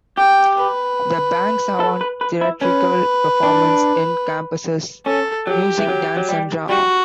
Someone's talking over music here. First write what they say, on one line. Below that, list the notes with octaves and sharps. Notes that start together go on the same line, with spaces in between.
The "bangsawan" theatrical performance encompasses music, dance and drama.
G4 G5
B4
A4
B4
B4
E4
C#4 B4
D4
C#4 A4
F#3 G4
E3
F#3
F#3
G3
G3 F#4